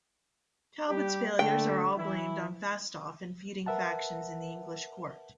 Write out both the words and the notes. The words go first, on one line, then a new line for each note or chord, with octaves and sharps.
Talbot's failures are all blamed on Fastolf and feuding factions in the English court.
G3 G4
D3 A3 G5
E3 E4
A#4 B4 E5 F#5 A5